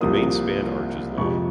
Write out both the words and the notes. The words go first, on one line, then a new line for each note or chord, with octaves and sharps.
The main span arch is long.
C2 C3 F3 A#3 D#6
F2 C3 F3 G#3 C#6